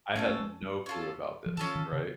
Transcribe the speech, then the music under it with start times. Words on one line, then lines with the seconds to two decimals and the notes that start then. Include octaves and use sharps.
I had no clue about this, right?
0.15 A3 C#4 F4 A4
0.28 A3
0.39 G#3
0.62 G3
0.86 C#4 F4 A4
1.46 F3
1.57 E3 C#4 F4 A4
1.75 D#3
1.92 C#3